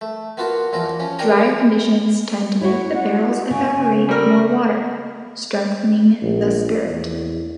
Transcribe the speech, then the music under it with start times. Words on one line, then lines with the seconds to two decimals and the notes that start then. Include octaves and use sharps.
Drier conditions tend to make the barrels evaporate more water, strengthening the spirit.
0.01 A3
0.37 A#3 B3 F4 F#4 A5
0.73 E2 F3 A#3 A#4
0.99 F3 C#4
1.19 D4 A#4 C#5 G5 G#5 A#5
2.61 E4 F#4 C#5
2.94 F#5
3.50 C#3 G#5
4.09 G3 A4 A#4
6.23 A#1
6.87 E2